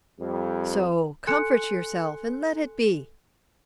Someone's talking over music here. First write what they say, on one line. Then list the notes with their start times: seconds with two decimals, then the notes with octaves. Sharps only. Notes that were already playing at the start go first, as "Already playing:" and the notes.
So comfort yourself, and let it be!
0.20 F2 G3
1.27 A4 G#5 C6 F#6 C#7